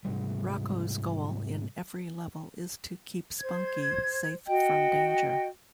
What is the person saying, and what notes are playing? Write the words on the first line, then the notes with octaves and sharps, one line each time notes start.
Rocko's goal in every level is to keep Spunky safe from danger.
G#2 C3 G3
C5 G#6
F#4 D#5 G5